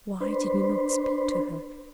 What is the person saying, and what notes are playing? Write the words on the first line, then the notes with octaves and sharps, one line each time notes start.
Why did he not speak to her?
D4 B4 C5